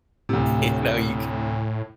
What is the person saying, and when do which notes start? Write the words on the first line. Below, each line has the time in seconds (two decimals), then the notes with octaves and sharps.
You know, you
0.29 D2 A2 C3